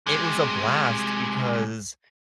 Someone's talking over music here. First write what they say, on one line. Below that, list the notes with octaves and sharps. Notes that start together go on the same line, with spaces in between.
it was a blast because
C3 G#3